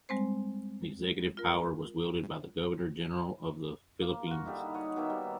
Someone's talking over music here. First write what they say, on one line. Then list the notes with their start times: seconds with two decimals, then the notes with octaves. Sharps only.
The Executive power was wielded by the Governor-General of the Philippines.
0.09 G3 G#3 C4 C5
1.37 F4 A#4
4.02 A#3
4.26 F4 F#4
4.46 D3 G3 D#4 E4
4.74 F#4 C#5 D#5
4.96 B2 D#3 A#3 E5
5.10 G3